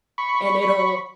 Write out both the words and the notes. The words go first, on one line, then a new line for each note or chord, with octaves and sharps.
and it'll
B5 C#6